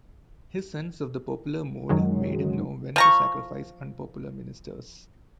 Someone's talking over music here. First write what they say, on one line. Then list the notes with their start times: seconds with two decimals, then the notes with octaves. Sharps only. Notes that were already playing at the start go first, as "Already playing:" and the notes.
His sense of the popular mood made him know when to sacrifice unpopular ministers.
1.89 F#2 D#3 F#3 G#3
2.96 F3 A#5 C#6